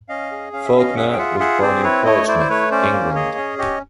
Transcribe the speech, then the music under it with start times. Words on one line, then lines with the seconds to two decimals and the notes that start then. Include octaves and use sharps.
Faulkner was born in Portsmouth, England.
0.09 C#4 D#5 F5
0.32 G#4
0.53 C#4 F5
0.65 E5
0.74 C#4 D#5 F5
0.96 G#4 E5 F#5
1.13 G5
1.18 F4 E5 F#5
1.40 G#4 E5 F#5
1.62 C4 C5 D5
1.83 E4 B4 C#5
2.05 A3 C#5 D#5
2.27 E4 C5 D5
2.39 C5
2.50 A3 B4 C#5
2.71 C#4 C5 D5
2.93 A#3
3.15 G#4 C#5 D#5
3.37 C#4
3.58 G4 C#5 D#5